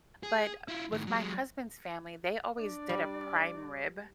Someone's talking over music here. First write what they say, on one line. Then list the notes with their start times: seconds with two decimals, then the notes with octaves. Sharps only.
but with my husband's family, they always did a prime rib.
0.23 G#4
0.68 E4 F4
0.92 A2 D#3
1.07 F#3 G#3
2.58 D4 D5
2.89 G3